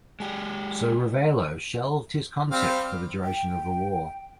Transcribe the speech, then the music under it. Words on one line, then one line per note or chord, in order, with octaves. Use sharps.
So Ravelo shelved his concept for the duration of the war.
G#3 G4
G3 C4 F5
G5